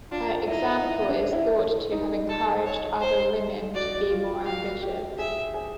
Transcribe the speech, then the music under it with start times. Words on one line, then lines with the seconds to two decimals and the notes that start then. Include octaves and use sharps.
Her example is thought to have encouraged other women to be more ambitious.
0.11 D4 F4
0.48 D#4 E4
0.84 E4
1.09 D4
1.33 E4
1.92 D#4
2.29 A4
2.66 C#5
3.01 C5
3.74 F#4 D5
4.10 F4
4.46 F#4 F5
4.83 G4
5.19 G#4 E5
5.54 G#4